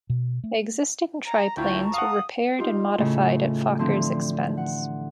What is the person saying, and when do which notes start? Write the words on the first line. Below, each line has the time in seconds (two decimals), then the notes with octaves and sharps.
Existing triplanes were repaired and modified at Fokker's expense.
0.10 B2
0.44 A3
1.27 A#5
1.57 D2 E4 F4 G5 A5 A#5 C#6
1.94 F5 F#5 D#6
2.59 D#4 F4 G4
2.98 A2 C#3
3.79 D3 E3 F3 C4
4.57 F#5